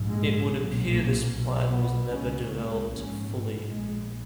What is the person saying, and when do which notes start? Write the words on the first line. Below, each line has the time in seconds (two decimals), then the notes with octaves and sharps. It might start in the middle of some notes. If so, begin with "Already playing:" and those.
It would appear this plan was never developed fully.
Already playing: A#1 G#2
0.10 G#3
0.51 B1 A#2
0.91 A#3
1.30 B1 B2
1.70 B3
2.10 C#2 C#3 C#4
2.50 B3
2.90 A#1 G#2 C#4
3.29 B3
3.69 A#1 A#2 G#3